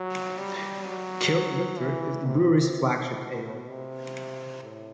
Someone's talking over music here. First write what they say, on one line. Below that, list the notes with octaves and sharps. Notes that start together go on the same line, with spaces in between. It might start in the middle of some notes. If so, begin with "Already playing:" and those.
Kilt Lifter is the brewery's flagship ale.
Already playing: F#3
G3
F#3
E3
C3
B2
C3
A2